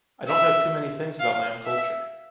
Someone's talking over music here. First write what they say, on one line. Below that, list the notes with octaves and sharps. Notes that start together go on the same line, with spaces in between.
I don’t know too many things about my own culture.
E5
F5
E5